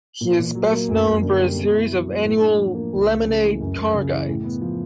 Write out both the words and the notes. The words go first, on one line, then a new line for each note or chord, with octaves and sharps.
He is best known for his series of annual "Lemon-Aid" car guides.
A#2
A#2
F#3
A#3
F#2
F#2
D3
G3
B2
E4
F#3
B3
A2
D4
F3
A#3
C#2
A3
C#3
E3
F#2
F#2
C#3
E3
A2
B3
F3